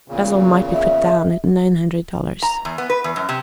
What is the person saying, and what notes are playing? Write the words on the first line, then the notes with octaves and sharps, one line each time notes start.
Bazil might be put down at nine hundred dollars.
E2 A#2 C#3
E5
A#5
E2
B3
B4
E2
F#2
C3